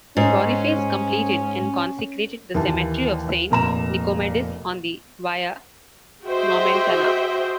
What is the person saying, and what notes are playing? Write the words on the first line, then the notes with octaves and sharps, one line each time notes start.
Boniface completed and consecrated the cemetery of Saint Nicomedes on the Via Nomentana.
G#2 C#4
D#2 E3 A#3 A5
F1 A#2 A#5 E7
F#4 G#4 C5 D#5 E5 G5